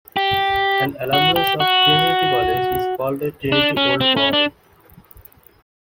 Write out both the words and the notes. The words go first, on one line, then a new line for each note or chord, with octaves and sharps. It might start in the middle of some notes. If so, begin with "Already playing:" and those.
An alumnus of Trinity College is called a "Trinity Old Boy".
G4
F#4
G4
F#4
D4
C#4
C4
C#4
D4